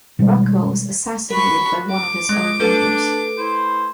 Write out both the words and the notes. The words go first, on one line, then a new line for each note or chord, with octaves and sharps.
Rockwell was assassinated by one of his own members.
B2 D#3 G3 G#3
F#4 A#4 B5 C#6
D6
G#3 G#4 D#5
A3 D4 A4 B4
E4 C5